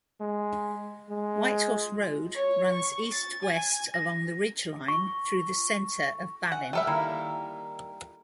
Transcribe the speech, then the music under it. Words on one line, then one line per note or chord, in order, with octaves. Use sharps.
Whitehorse Road runs east-west along the ridgeline through the centre of Balwyn.
G#3
G#3
C#5
C#6
A6
G#5
A#6
C#6
F#5 G#5
G3 A4 E5 G5 B5 F6 D#7
D#3 A#3 E4 G5 A#5